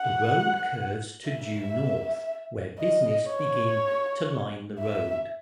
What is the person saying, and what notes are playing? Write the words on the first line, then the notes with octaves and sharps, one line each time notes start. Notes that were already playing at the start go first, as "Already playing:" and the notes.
The road curves to due north where business begin to line the road.
Already playing: F#5
E5
D#5
C#5
E5